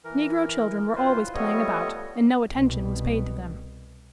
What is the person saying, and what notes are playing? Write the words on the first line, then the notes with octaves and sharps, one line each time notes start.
Negro children were always playing about, and no attention was paid to them.
E3 A#4
D2 A2 F4 B4 C5
F3 G3 A3 B3 C#5 D#5
C2 B2